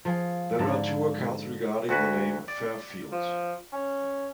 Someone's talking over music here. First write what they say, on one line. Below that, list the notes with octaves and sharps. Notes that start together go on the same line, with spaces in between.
There are two accounts regarding the name "Fairfield".
F3 G#4
G#2 D3 A4
D2 F#4 B4
D5
F3
C#4